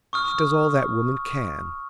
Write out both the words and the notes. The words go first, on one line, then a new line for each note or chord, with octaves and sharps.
She does all that woman can.
C#6 D#6 F6